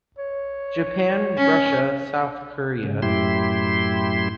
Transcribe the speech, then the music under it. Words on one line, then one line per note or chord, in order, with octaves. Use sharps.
Japan, Russia, South Korea.
C#5
C#4
G#2 C#3
F#2 A2 E4 G4 C6